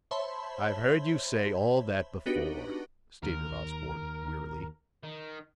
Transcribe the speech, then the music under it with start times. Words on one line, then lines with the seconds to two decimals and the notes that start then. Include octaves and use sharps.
"I've heard you say all that before," stated Osborne, wearily.
0.11 C5 C#5 E5 A5 B5 C6
2.26 B3 D4 D#4 F#4 G4 B4
3.23 D#2 A#4
5.03 D#3